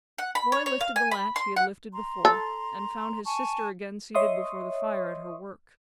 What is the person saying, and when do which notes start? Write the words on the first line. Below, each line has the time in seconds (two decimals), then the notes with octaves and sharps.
The boy lifted the latch he had lifted before, and found his sister again seated before the fire at her work.
0.18 F#5
0.35 B5
0.52 C#5
0.66 C#5
0.81 F5
0.96 G#5
1.11 B5
1.36 C6
1.56 F#5
1.93 A#5 C6
2.25 A4
3.25 G#5 A5 C#6
4.15 C#5 D#5 E5 C6 C#6 D#6